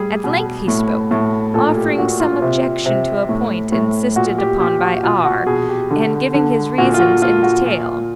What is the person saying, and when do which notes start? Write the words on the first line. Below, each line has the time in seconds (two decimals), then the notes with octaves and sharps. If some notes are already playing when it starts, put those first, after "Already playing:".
At length he spoke; offering some objection to a point insisted upon by R., and giving his reasons in detail.
Already playing: A2 G3 G#4
0.24 B2
0.68 A2
1.11 A2
1.54 A#2 A4
1.77 G4
1.98 A#2 F#4
2.20 F4
2.42 C3
2.86 C3
3.29 A2
3.72 A2
4.16 A#2 F#4
4.38 G4
4.59 A#2 G4
4.82 F#4
5.03 B2 F4
5.25 F#4
5.46 B2 G#4
5.69 G4
5.91 D3
6.34 D3
6.78 A#2 F#4
6.94 F4
7.00 F#4
7.22 A#2 F4
7.43 F#4
7.65 A#2 F4